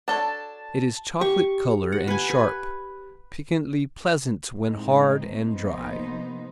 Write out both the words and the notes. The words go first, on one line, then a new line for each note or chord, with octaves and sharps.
It is chocolate-color and sharp, piquantly pleasant when hard and dry.
D4 A4 C#5 A5
G4 C#6
F#5
B4 G#5
B4
A2 G#3 C4 D#4
C3 F3 A#3 B3 D#4 C5